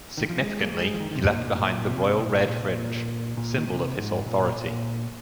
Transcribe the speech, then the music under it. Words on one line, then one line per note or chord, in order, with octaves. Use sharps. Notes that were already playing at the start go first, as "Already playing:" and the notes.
Significantly, he left behind the royal red fringe, symbol of his authority.
D#3
F3
G#3
A#3
G#3
F3
D#3
D#3
C3
A#2
A#2
G#2
A#2
C3
G#2
A#2
A#2
A#2
A#2
A#2
D#3
C3
G#2
A#2
A#2